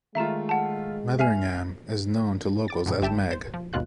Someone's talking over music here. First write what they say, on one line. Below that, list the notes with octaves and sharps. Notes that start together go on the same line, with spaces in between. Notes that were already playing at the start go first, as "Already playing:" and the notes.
Metheringham is known to locals as "Meg".
D#3 G#3 A3 F4 E5 A#5 E7
F#5 A5
E5 G#5 F6 C7
D6 A6
F#2 A2 C#3
G1 G3 E5 G5 A5 E7
C5
F3
G#1 D#2 B2 F4 F#6